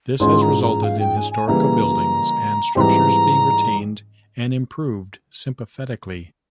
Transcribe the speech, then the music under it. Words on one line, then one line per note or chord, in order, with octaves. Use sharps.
This has resulted in historical buildings and structures being retained and improved sympathetically.
G#2 E3 G#3 C#4 F4 C6
A#5
A#5
F5
G5
G#5
G#5
C#3 E3 G3 A#3 E4 A#5
G#2 E3 G3 C4 G4 A#5 C6